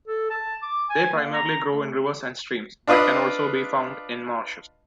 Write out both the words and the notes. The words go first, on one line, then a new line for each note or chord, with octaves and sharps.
They primarily grow in rivers and streams, but can also be found in marshes.
A4
A5
D6
G#5
A#3
A#5
A3
D4 F4 B4 D#5